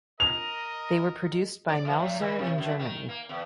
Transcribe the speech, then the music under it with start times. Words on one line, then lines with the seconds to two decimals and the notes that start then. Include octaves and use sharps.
They were produced by Mauser in Germany.
0.20 A#4 D#5 F7
1.69 D5
1.85 E3
1.99 A2
2.20 D#3
2.39 C3
2.58 F#2
2.79 D#3
3.09 A#3
3.29 E2